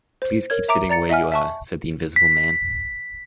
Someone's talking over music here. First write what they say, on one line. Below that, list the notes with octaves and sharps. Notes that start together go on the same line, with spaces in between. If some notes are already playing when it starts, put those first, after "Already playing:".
"Please keep sitting where you are," said the Invisible Man.
C5
A#4 C#5 G#6
E5 A#5 D6 D7
D5 A#5 A6 C#7
D#5 E5 F#5 G#5 F6
E5 A5 C#6
B6